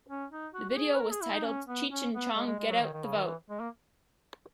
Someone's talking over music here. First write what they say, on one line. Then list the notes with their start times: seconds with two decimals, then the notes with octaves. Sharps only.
The video was titled "Cheech and Chong Get Out the Vote!".
0.09 C#4
0.31 D#4
0.54 F#4
0.69 F#4
0.76 G#4
0.94 B4
1.00 A#4
1.11 G#4
1.22 E4
1.33 D#4
1.45 C#4
1.67 B3
1.90 C#4
2.13 B3
2.36 G#3
2.47 G#3
2.59 G#3
2.70 F#3
2.81 D#3
2.93 D#3
3.04 C#3
3.15 D#3
3.27 E3
3.50 G#3
3.60 A#3